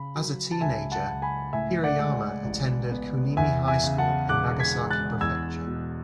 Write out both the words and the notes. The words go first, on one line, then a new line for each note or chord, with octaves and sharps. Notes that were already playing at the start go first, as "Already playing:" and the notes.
As a teenager, Hirayama attended Kunimi High School in Nagasaki Prefecture.
Already playing: C#3 B5
F#3
A5
C#2 E5 G#5
F#5 A5
C#2
G#5 B5
A2 E5 G#5
D5 F#5
G#3
A1
B3
E2 E5 G#5
E5 G#5
C#3
F#5 A5
E1 D6 F#6
G#6 B6
G#3
F#6 A6
E2 E6 G#6
B2